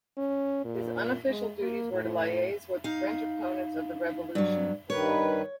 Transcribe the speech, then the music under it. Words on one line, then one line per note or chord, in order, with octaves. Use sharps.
His unofficial duties were to liaise with French opponents of the Revolution.
C#4
A#2
G#3
A#3
A2
D#4 F5
G2 F#3
G2 D#3 B4 C#5